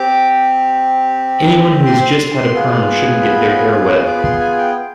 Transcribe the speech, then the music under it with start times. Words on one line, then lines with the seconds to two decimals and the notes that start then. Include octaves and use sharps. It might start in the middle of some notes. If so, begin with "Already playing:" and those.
Anyone who has just had a perm shouldn't get their hair wet.
Already playing: C4 G4 D6
1.86 C6
2.54 B3 F4 G#4
3.22 B5
3.85 D6
3.90 C6
4.07 D6
4.18 B5
4.24 C6
4.40 G#5
4.58 G5